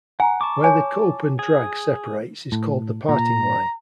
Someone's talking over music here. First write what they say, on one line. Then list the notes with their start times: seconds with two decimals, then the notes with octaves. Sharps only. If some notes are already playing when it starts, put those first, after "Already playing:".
Where the cope and drag separates is called the parting line.
0.20 F#5 G#5 A#5
0.41 A5 C#6 D6
0.64 C#5 G#5
1.39 G#4
2.52 A2
3.09 A#2 A#5